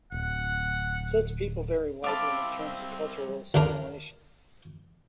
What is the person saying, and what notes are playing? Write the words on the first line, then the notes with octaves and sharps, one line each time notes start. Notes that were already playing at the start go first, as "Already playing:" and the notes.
Such people vary widely in terms of cultural assimilation.
D1 F#5
G3 C4 E5 F5 A5 B5 D6
D2 D4 A#4